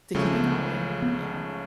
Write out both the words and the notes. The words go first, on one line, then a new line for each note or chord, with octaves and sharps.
To keep it going, yeah.
C#2 C#3 F3 G3 A3
C4
B3
B3